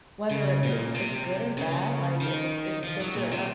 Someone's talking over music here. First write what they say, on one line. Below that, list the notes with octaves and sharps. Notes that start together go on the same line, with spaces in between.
whether it it was it's good or bad, like, it's it's such a
C#3
A#2
C3
C#3
D#3
F3
F#3
A#2
C3